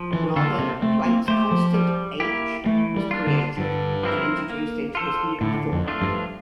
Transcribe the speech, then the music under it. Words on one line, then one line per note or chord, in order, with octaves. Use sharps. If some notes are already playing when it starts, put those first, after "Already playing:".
Rather, Planck's constant "h" was created and introduced into his new formula.
Already playing: F3
E3
D3 A#3 F4 A4
C3
A3 C4
A#3
A3 G4 C5
F3
G3
A#3 E4 G4
E3 A3
G3
A#3 D4 F4
D3
G2 D3
F3 C4 E4 A#4
A#3
F4 A4 C5
A2 D3
F2
F3 A3 D4 F4
G2